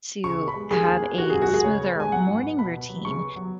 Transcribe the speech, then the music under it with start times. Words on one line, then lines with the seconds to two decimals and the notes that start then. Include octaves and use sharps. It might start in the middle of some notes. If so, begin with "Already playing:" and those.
to have a smoother morning routine,
0.24 C#3 C#6
0.41 B3
0.48 B5
0.56 G#3
0.71 D#3 G#4
0.88 D#2
1.03 B3
1.18 D#3 F#4
1.30 F#2 G#4
1.42 F#4
1.49 G#3
1.54 G#4
1.64 C#3 C#5
1.81 B3
1.96 G#3 G#5
2.12 F#3 F#5
2.28 G#2
2.42 B3
2.58 B2 B5
2.74 B3
2.89 F#3
3.05 C#3 C#6
3.20 B3
3.36 F#3